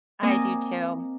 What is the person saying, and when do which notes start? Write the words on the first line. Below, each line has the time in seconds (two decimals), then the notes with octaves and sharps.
I do, too.
0.22 A#3 C4 D#5 G#5 D6